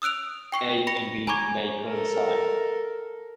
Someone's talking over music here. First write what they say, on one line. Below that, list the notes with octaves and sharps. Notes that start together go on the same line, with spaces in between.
"A" and "B" may coincide.
D#6 E6 F#6 D7 F7
G5 C#6 C7
B5 A#6 C#7
G#5 A#5 B5 C#6 D6 G#6
A4 A#4